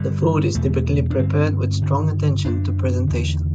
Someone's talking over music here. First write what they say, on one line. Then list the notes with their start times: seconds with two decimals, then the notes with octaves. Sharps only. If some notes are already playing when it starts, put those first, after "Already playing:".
The food is typically prepared with strong attention to presentation.
Already playing: G2 D3 G3
0.55 E2 B2 A3
1.10 D4
1.18 G2 D3 C4
1.82 G2 D3
2.45 F#2 D3 D4
3.07 E2 D3